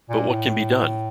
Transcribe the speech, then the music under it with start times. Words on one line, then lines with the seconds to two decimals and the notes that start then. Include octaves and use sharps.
But what can be done?
0.10 A#2
0.28 A2